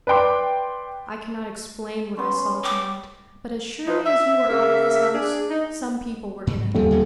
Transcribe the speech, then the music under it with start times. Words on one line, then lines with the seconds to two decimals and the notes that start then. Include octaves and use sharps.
I cannot explain what I saw to-night, but as surely as you were out of this house, some people were in it.
0.07 B4 D5 G5 C6 D6
2.17 B3 C#4 C6
2.63 G5 D6
3.88 F3 D#4 B4
4.06 E5
4.48 C#3 A#3 E5
5.14 D4 G#4
5.49 D#4
6.47 G#2
6.75 D#1 E2 F3
6.91 D3 D#3 B3